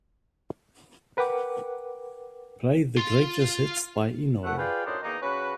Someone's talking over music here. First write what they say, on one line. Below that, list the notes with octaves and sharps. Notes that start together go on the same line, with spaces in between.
Play the greatest hits by Inoj.
A#4 B4 F#5 G5 D6
F4 C6
C2 A3 F#5
F4 G#4 B4 D5 F5 G5
F#2 A2 D4 D#4 G#4 C5
E2 D#3 A#3 D#4
C#3 C#4 F#4 B4